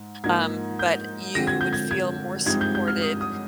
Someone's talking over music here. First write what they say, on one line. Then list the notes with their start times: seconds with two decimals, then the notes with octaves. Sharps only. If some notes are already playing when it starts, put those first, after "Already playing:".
um, but you would feel more supported
Already playing: G#2
0.24 G#2 F3 A#3 D#4 G#6
0.79 G6
1.35 D3 F3 C4 A#6
1.47 G#6
1.61 G6
1.73 G#6
1.91 G#6
2.46 G2 F3 G#3 C4 D#4 G#6
2.61 G6
2.75 G6
2.88 F6
3.02 D#6
3.21 D#6